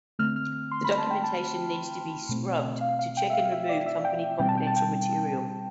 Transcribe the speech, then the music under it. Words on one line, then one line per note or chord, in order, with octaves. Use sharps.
The documentation needs to be "scrubbed" to check and remove company confidential material.
D3 A3 C4 F6
F6
C6
B5
A5
G5
A5
B2 A3 C4
F5
F5
G5
E5
F5
F5
E5
D5
E5
G5
B2 G3 C4 G5
A5
G5
A5
G5